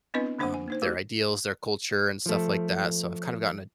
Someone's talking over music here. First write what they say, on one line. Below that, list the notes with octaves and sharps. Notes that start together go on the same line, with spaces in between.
um, their ideals, their culture, and stuff like that so, I've kind of gotten a
B3 C4 D4 E4 B4 D#5
D3 A#3 D4 C5 F#5
G#5
A#3 D#4 C5
A3 F#4 G4
F3 A3